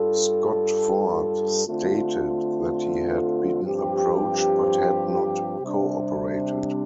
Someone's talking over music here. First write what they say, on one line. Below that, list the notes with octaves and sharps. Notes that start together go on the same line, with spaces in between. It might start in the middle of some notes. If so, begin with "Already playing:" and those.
Scott-Ford stated that he had been approached but had not cooperated.
Already playing: G2 G3 F4 A4
D3 A3 C4 F4
G2 F3 C4 G4
C3 G3 D4